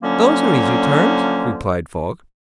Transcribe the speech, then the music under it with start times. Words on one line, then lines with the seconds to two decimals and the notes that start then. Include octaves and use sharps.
"Those are easy terms," replied Falk.
0.03 D3 F3 F#3 A#3 C#4